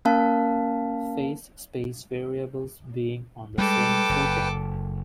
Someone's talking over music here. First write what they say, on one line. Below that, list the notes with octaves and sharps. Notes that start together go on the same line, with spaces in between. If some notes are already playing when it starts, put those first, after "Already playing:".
Phase space variables being on the same footing.
A#3 C#4 A#4 F5 A5
G3 G#3 A4 B4 G5 D6
F#1